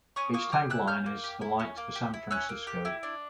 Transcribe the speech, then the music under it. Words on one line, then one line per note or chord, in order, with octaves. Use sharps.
Its tag line is "The Light for San Francisco".
C#4 C#6 D#6
A#3 C#6 D#6
G4 D#6 F6
E4 E6 F#6
C#4 F6 G6
A#3
G4
E4
C#4
A#3
G4
E4
C#4 E6 F#6
A#3
G4
E4
D4